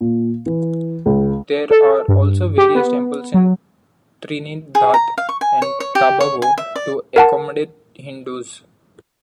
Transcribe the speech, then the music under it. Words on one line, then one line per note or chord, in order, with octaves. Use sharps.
There are also various temples in Trinidad and Tobago to accommodate Hindus.
A#2
E3
C#2
A4
G2
G4
B3
F#3
G#4
A#5
F5
C#6
G#5
C#5
C#5
G4
C#5
G#5
E5
D5
A#4 F#5 A5